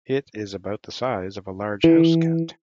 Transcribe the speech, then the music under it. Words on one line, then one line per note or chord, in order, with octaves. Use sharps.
It is about the size of a large housecat.
E3